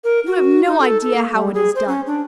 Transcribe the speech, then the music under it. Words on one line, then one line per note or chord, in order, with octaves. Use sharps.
'You have no idea how it is done.
A#4
F#4
D#4
A4
A4
A#3
G3
G#4
C5
C#4
D4